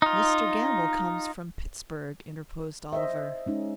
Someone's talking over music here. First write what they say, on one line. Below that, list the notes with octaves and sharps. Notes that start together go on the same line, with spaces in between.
"Mr. Gamble comes from Pittsburg," interposed Oliver.
D#4 F4
C5 D#5 E5
G#3 C#4 D#4